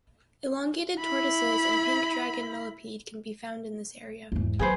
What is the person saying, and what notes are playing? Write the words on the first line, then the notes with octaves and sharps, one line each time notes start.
Elongated tortoises and pink dragon millipede can be found in this area.
E4 B5
E2 G#2
F#3 G#4 B4 C5